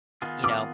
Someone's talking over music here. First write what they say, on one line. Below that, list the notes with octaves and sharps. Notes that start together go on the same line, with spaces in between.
"you know,
D#3 B3 F4 G#4
D6 F6